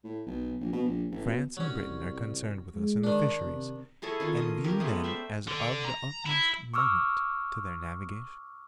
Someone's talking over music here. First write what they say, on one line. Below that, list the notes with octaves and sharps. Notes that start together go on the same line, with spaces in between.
France and Britain are concerned with us in the fisheries, and view them as of the utmost moment to their navigation.
A2
B1
A#1
B2
A#1
A1
B2
C2 F#3 C#4
G#3
D#3 D4
C3
E4 G#4 A4 C#5
D#3 C#4 F4
D#5
A#3 C#4 G4 A#4
G#3 A3 B3
C5 D5 E5 G5
D3
A#5
E4
C#6 D6 E6 F6